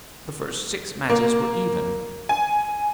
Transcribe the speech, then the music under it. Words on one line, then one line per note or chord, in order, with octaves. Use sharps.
The first six matches were even.
A#3
G#5